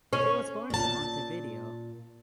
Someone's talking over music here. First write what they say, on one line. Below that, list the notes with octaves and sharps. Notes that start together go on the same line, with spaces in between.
He was born in Montevideo.
C#4
A#2 A5